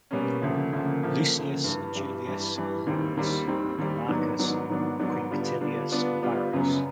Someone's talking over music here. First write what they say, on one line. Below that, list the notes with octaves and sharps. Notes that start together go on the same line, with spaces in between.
Lucius Julius Iulus and Marcus Quinctilius Varus.
B2 G3 A#3 C#4
D2 C#3 F3 A#3
D2 C#3 F3 A#3
D2 C#3 F3 A#3
D2 C#3 F3 A#3
G2 E3 G3
G2 E3 G3
G2 E3 G3
G2 E3 G3
D#2 D#3 G3 C4
D#2 D#3 G3 C4
D#2 D#3 G3 C4
D#2 D#3 G3 C4
G#2 D#3 F#3 B3 D4
G#2 D#3 F#3 B3 D4
G#2 D#3 F#3 B3 D4
G#2 D#3 F#3 B3 D4
D3 G3 B3 D4 F4
D3 G3 B3 D4 F4
D3 G3 B3 D4 F4
D3 G3 B3 D4 F4
F#2 C#3 F#3 B3